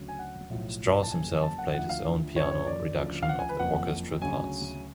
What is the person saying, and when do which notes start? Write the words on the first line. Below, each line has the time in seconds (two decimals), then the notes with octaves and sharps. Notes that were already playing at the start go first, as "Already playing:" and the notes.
Strauss himself played his own piano reduction of the orchestral parts.
Already playing: D2 C#3 F#3
0.08 G#5
0.19 F#5
0.50 B1 A2 F3
1.03 A5
1.11 F#1 F2 C#3 F#3 G#5
1.43 A5
1.58 F#5
1.74 D2 D3 F3 F#5
1.89 F5
2.36 F#1 F#2 F3 C#5
2.51 C#5
2.67 D5
2.98 D2 C#3 F3
3.23 F5
3.29 F#5
3.39 G#5
3.49 B4
3.59 F#1 F2 F3 F#5
4.21 D2 C#3 F#3 G#5